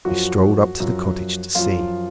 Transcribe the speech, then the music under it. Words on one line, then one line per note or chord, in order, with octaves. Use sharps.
He strolled up to the cottage to see.
F#2 F3 F#4
F#2 F3
F#2 F3 F4